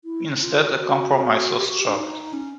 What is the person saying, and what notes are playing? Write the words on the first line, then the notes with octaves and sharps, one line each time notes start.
Instead, a compromise was struck.
E4
F4
F#4
F#4
G4
F#4
G4
F#4
G4
D4
D#4
C#4